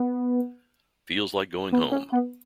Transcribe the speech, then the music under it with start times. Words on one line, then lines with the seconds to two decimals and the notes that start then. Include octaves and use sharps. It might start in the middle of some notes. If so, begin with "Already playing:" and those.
Feels like going home.
Already playing: B3
1.72 B3
1.92 C#4
2.12 B3